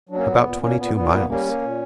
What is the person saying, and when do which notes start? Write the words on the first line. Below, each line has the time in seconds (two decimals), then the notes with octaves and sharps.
'About twenty-two miles.
0.09 F#3 D4
0.15 A#3 C#4
0.27 A#2 B3
0.44 A#2
0.60 A#2 A#3 C#4
0.77 A#2 B3
0.94 A#2 B3
1.11 A#3
1.28 G3 A#3 C#4
1.45 A#3
1.62 A#2